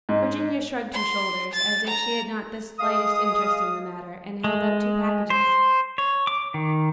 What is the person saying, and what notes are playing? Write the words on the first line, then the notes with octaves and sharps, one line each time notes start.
Virginia shrugged her shoulders, as if she had not the slightest interest in the matter, and held out two packages.
G#2
C6
A6
A#5
G#3 F5 D#6
G#3
C5
C#5
D6
D#3